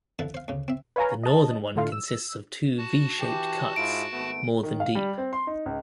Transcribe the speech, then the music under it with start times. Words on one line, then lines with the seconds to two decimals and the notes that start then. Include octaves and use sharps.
The northern one consists of two v-shaped cuts more than deep.
0.19 D3 F3 E4 B4
0.34 C5 F5
0.48 D2 C#3
0.68 C4 E5
0.96 B4 C#5 F5 G#5 A#5
1.23 D#5 A5
1.76 A2 D3 A3 F4 F5
1.92 E6
2.78 F#4 A5
3.19 E3 G4
3.76 G#2 E4 F4 D7
4.13 G#1 A3 B3
4.63 D#3
4.80 F5
4.95 G3
5.18 C4
5.33 C6
5.47 D#4
5.66 C#2